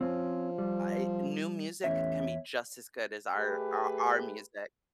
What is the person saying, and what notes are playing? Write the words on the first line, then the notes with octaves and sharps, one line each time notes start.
I new music can be just as good as our our our music.
F3 C4 C#4
G3
A1 E2 C#5 E5
A3 G4 G#4 B4